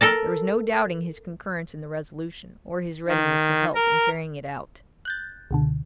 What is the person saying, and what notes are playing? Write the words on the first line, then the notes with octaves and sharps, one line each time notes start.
There was no doubting his concurrence in the resolution, or his readiness to help in carrying it out.
A4 A#4 A5
D#3
A#4
F#6 G6 A6
C#2 B2 D3